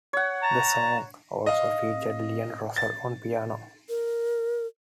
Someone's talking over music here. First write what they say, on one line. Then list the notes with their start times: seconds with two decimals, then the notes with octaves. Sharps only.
The song also featured Leon Russell on piano.
0.13 C#5 F#5
0.43 A5 A#5
1.46 D#5 F5
2.76 A6
3.89 A#4